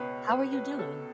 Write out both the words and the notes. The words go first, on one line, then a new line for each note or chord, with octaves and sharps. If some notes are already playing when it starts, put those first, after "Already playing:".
How are you doing?
Already playing: C#2 B2 B4 C#5
B4
B4
A4